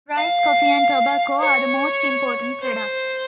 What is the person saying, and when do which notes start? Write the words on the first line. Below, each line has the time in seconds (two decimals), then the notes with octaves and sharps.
Rice, coffee and tobacco are the most important products.
0.16 F5
1.39 C#5
2.62 C5